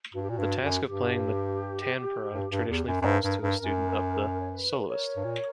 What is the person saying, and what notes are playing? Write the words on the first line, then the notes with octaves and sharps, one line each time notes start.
The task of playing the tanpura traditionally falls to a student of the soloist.
G2 F#4
G4
A#2 F#4
G2
F#2
G2 G4
G2
G2
E2
F#2
F#2
G2 A#4
G2
G2
F#2
C#5
B4
A#4 C#5
G2
A#2